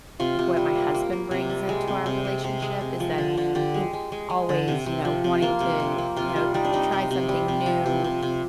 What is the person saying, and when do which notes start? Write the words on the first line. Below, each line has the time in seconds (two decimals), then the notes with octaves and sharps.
what my husband brings into our relationship is that he's always, you know, wanting to, you know, t try something new,
0.20 C3 F4
0.39 C3
0.57 G3
0.75 A#3
0.94 A#3
1.13 A#3
1.31 C3
1.50 G3
1.69 G#3
1.88 C3
2.06 C3
2.25 G#3
2.44 C3
2.62 G#3
2.81 C3
3.00 F3
3.18 D3
3.37 D3
3.55 D3 G4
3.74 G#3
3.93 G#3
4.12 G#3
4.30 G#3
4.49 D3
4.68 C3
4.86 C3
5.05 F3
5.24 C3
5.42 A#3 F4
5.60 C3
5.80 C3
5.98 A#3
6.16 C3 F4
6.36 G3
6.54 G3 D#4
6.65 D4
6.73 C3 D#4
6.92 C3
7.11 C3
7.29 G3
7.48 C3
7.66 F3
7.86 C3
8.04 C3
8.23 C3